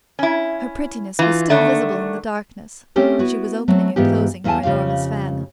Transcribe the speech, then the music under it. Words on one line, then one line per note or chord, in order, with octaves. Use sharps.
Her prettiness was still visible in the darkness; she was opening and closing her enormous fan.
C#4 E4
E3 F4
D3 D#3 A3
A3 C4 C#4 G4 A4 A#4
B3 E4 F#4
F#3 A3 C4
G#2 E3 B3 F4 G4
E2 A#3 E4 A4 G#5 A5
F2 C#3 F4 G4 F5